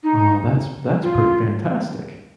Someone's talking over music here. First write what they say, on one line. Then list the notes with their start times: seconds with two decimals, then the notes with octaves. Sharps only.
Oh, that's that's pretty fantastic.
0.03 D#4
1.02 F4